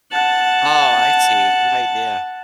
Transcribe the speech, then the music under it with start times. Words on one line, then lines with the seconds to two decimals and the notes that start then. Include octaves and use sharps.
Oh, I see, good idea.
0.11 F#5 A5